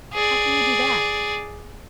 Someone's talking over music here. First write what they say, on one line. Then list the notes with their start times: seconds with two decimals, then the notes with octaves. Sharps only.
"How can you do that?"
0.14 G#4 D5